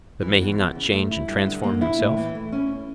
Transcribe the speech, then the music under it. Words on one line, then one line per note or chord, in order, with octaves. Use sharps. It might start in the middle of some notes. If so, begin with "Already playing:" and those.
But may he not change and transform himself?
E3
E2
E2
C#3
A3
E4
G2
D3
A#3
E4
A2
E3
A3
C#4